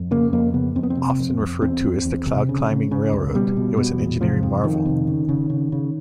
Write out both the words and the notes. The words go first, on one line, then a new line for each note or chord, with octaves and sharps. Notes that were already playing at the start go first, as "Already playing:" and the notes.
Often referred to as the "Cloud Climbing Railroad" it was an engineering marvel.
Already playing: F2
C#3 A#3
F2 A#3
C#3 B3
F2 C4
B3
C4
C3
F2
F2
E2 C4
E2
E2
C3
C#3
C#3
C#3
C#2
B2 G3
B2
B2
E2
C3 F3
F2
F2 D#3
C3
C#3
C#3
C#3
C#3